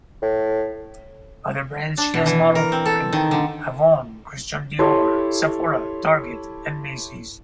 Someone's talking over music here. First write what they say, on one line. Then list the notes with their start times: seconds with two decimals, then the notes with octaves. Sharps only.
Other brands she has modelled for include "Avon", "Christian Dior", "Sephora", "Target", and "Macy's".
0.22 A2
1.98 D4
2.14 B2
2.26 E3
2.55 A#4
2.72 C4
2.86 A4
3.13 D#3
3.31 D3
4.79 E4 G4 A4 C#5 A5 C6